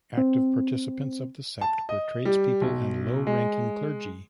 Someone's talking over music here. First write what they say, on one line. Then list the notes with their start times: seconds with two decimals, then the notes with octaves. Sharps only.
Active participants of the sect were tradespeople and low-ranking clergy.
0.18 C4
1.61 A5
1.89 D#5
2.25 G3
2.61 B1
3.27 G#3